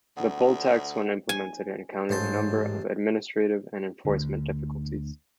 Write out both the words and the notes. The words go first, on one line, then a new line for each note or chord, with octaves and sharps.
The poll tax when implemented encountered a number of administrative and enforcement difficulties.
D2 F#5
G#5
A1 G#2 C5 A5
D2 D3